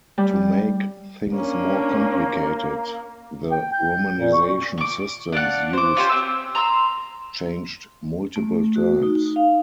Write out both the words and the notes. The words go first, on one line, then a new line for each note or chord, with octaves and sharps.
To make things more complicated, the romanization systems used changed multiple times.
G3
A#3 C#4 D4
G5
G6
A#2
C#6
C#6 D6
D4 D5 F5 F#5
C5 D6
C#4 F4 G4 C5
C4 B4 D6 E6
A#5 C6 E6
A3
F#4
D#4
F5